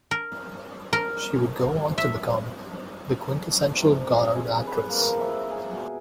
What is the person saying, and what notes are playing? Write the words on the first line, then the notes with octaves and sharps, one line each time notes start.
She would go on to become the quintessential Godard actress.
A#4
A#4
E5
C3
G#4
B4
A#3
F3
E5
G#4
B2